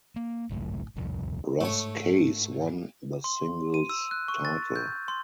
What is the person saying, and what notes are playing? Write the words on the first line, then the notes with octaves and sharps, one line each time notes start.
Ross Case won the singles title.
A#3
G#1 C#2 F#2 A2
D1 C2 F2
G#2 A3 C#5
C6
D#7
E6
F#6
C#6
A6
G6
C6